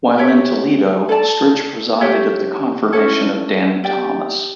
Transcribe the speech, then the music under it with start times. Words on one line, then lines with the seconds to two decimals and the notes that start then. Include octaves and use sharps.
While in Toledo Stritch presided at the confirmation of Danny Thomas.
0.18 G4 C#5 E5
1.09 A4 D5 A5
2.01 G4 C#5 E5
2.93 C#4 E4 A4 C#5
3.84 G4 D5 G5